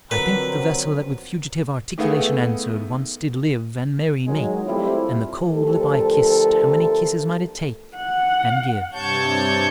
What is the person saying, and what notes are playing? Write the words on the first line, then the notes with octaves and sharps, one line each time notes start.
I think the Vessel, that with fugitive Articulation answer'd, once did live, And merry-make; and the cold Lip I kiss'd How many Kisses might it take--and give.
D3 F3 F#3 C4 A#4 B4 A#5 B6
D#3 A3 B3 G#4 F5 F#5
D#3 F#3 G#3
G3 A3 C4 E4 F4 G4
D2 F3 G4 A4 A#4
F#5
G2 C3 C#5 A5 C#6 G6